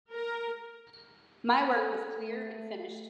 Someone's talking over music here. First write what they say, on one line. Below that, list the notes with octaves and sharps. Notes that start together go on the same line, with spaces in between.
My work was clear and finished.
A#4
A4
A3